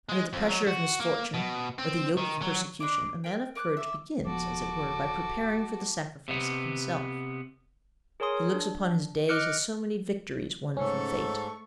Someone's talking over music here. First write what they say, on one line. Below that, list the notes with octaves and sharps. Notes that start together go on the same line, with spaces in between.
Under the pressure of misfortune or the yoke of persecution a man of courage begins, as it were, by preparing for the sacrifice of himself: he looks upon his days as so many victories won from fate.
G#3
F2
F#3
F#4
A#3
B2
C4
D#3
F#3
D4 D#5 B5 D6
A#4 G5
A#4 D6 F6 F#6
E5 D6
D#1 F3 B3 F#4 A4 D6
C3 B3
G#4 A#4 C#5 G#5 C6 D#6
D4
D#5 D6 F6 F#6 C#7 D7
G#2 A3 C#4 A4 C#6